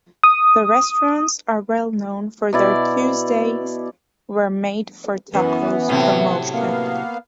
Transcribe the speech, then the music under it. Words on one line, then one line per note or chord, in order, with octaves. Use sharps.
The restaurants are well known for their "Tuesdays Were Made for Tacos"promotion.
D#6
B2 E4 D5
F#2 E3 B3
A2 C3 F#3
A#3 B3 F5